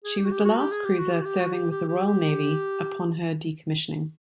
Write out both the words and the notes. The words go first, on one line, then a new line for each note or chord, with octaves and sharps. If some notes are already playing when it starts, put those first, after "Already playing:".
She was the last cruiser serving with the Royal Navy upon her decommissioning.
G#4
G4
F#4
G4
F#4
G4
G#4
G4
F#4
G4
F#4
G4
F#4
G4
G4
G4
G4